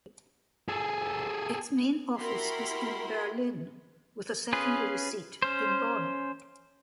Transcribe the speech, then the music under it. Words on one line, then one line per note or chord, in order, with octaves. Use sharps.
Its main office is in Berlin, with a secondary seat in Bonn.
G#4 A4
E4 F#4 G4 A#4 B5 C6
C#4 F4 G#4 B4
C#4 C5